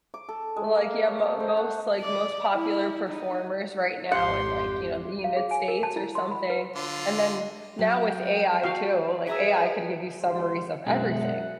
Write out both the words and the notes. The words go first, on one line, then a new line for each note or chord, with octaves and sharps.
like, yeah, mo most, like, most popular performers right now in, like, you know, the unit states or something. And then, now, with AI too, like, AI could give you summaries of everything,
D6
A4
G#3
A#3
C#5
A3
C5
F#5
D5
E4
D#4
G#1 F2 G4 F#5 C6
F5
G#4
G#5
A#4
A5
E4
C6
B5
B4
D3 F4
F#3 G5
F#4 F5
G#4 B4 E5 A#5 E6
G#1 C3 C5
F#2 B2 G#3 E5 F#5